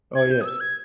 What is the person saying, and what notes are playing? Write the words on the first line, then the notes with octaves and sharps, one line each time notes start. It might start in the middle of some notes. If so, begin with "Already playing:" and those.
Oh, yes.
G#6
G6
D#6
E6
G#6